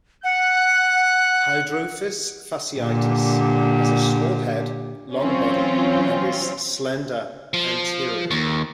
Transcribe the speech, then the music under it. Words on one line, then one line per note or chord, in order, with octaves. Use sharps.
Hydrophis fasciatus has a small head, long body and is slender anteriorly.
F#5 F#6
A#2 D3 G4
E3 F#3 C4 C#4 F4
F3
D#2